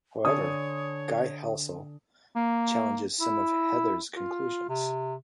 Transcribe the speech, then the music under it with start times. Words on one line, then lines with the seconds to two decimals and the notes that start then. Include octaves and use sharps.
However, Guy Halsall challenges some of Heather's conclusions.
0.25 D3 C#5 G#5 D#6
2.35 A#3
3.21 E4
4.16 F4
4.69 C3